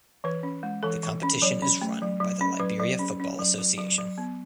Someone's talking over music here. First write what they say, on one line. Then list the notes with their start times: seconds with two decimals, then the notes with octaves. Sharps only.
The competition is run by the Liberia Football Association.
0.24 E3 B4
0.43 C#4
0.63 G#3
0.83 E3 A4
1.03 E3
1.23 C#4
1.42 F#3 C#5
1.62 C#4
1.81 A3
2.02 F#3
2.20 F#3
2.41 C#4
2.60 F#3 B4
2.80 F#3
2.99 C#4
3.20 C#4
3.39 F#3
3.58 F#3
3.78 F#3
3.98 F#3
4.18 B3